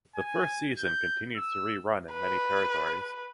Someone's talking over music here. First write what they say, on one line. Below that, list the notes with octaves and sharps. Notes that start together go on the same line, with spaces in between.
The first season continues to re-run in many territories.
G#5
G6
E6
B4